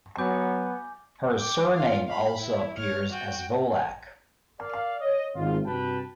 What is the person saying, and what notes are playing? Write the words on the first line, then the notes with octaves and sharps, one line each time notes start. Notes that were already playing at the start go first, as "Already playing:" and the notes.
Her surname also appears as Volach.
F#3 B3 G#5 D6 G6
G5 D6
F4 F5
F5 B5
E4
C#5 F6
F#4 G5
A#4 D5 F5
C#5 D#5
G#1 F4
G2 C3 F#4 B4 G5 A5